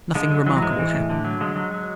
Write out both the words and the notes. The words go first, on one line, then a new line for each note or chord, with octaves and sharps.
Nothing remarkable hapened.
D3 G#3
F#3
E3 F#3
F#3
G#2 G#3
E3
A2
D3
F#3
D3 G#3
F#3
F#3